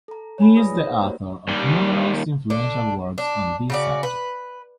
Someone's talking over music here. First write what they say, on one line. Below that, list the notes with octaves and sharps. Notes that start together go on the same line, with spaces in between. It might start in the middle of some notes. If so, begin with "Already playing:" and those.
He is the author of numerous influential works on this subject.
A4 A#5
C#5 G#5 B5
F4 G#4 B4 D5 D#6 A#6
D#4 C#5
B4 C5
A#3 F#4 G4 A#4 D5 A#5
D#2 G3
D3 D4
D4
C#3 F#4 D5
B4